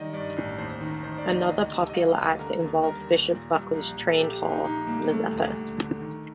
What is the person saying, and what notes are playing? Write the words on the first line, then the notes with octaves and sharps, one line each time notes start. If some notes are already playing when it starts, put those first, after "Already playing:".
Another popular act involved Bishop Buckley's trained horse, Mazeppa.
Already playing: D#3 G3 D5 D#5
G2 D5
A1
D#2 C5
D#3
D#3 C5
D5
D#2
D#5
D2 D#5
C3
D#5
G3 F5
D2
D3 A#4
D#2
G3 A#4
D#2
A#2
G3
A#1
A#1
A4
A#1 G4
A#1
D#4
A#1 D#4
G3 A#3
G3 A3
D2
D2
D3
D#3